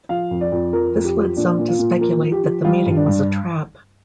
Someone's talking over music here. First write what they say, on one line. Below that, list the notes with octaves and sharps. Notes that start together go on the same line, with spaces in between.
This led some to speculate that the meeting was a trap.
F3 F5
F2
D5
F2
F3 A#4
F2
G4
F3
A#2 D4
A#2
F4
A#2
F3 A#4
F3
G4
F3
G3 F4
G2
D4
G2